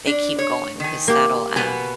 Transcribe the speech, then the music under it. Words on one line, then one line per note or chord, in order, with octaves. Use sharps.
they keep going 'cause that'll, um
D4
C#5
D#3 G#5
A#3 G4
B2 B3 G#5